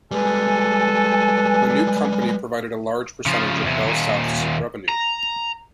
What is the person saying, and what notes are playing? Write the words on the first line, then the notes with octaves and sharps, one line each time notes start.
The new company provided a large percentage of BellSouth's revenue.
G3 G#3 A4 B4 G#5
C#3 F3
E2 C3
D#2 A#2
A#5